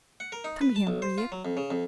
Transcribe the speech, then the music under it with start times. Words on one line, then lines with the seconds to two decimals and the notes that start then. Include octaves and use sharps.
Come here, Maria!
0.20 F#5
0.32 A#4
0.44 D#4
0.61 B4
0.76 A5
0.87 B1
1.02 C5
1.18 F4
1.32 F#3
1.45 F2
1.57 C#3
1.71 F2